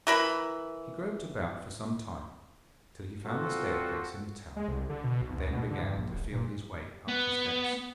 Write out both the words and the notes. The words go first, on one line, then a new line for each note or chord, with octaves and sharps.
He groped about for some time, till he found the staircase in the tower, and then began to feel his way up the steps.
E3 A#4 B5
G3 C4 F4 F#4 A4
G#3
C2
D3
B2
B1
D2
B2
D3
G2
A#1
D1
A#2
B3